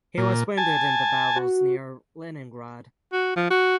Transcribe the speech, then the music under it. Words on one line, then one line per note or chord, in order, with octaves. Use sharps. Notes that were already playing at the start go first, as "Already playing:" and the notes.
He was wounded in the battles near Leningrad.
A#2
G#5 A5
F#4
F#4
F3
F#4